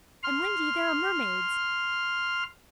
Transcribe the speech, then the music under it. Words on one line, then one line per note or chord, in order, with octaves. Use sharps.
"And, Wendy, there are mermaids."
C6 F6